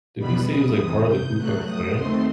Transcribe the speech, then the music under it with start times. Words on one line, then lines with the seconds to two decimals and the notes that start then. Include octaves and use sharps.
Didn't he say he was like part of the Ku Klux Klan
0.18 E2 B2 G3 B3 B5
0.47 D#6
0.76 E2 C3 E3
1.06 G6
1.36 G2 F#3 A3 F#6
1.65 D#6
1.95 D#2 D#3 A3 C4 C6